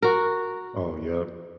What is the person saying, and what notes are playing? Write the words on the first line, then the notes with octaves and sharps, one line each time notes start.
Oh, yep.
F#4 A#4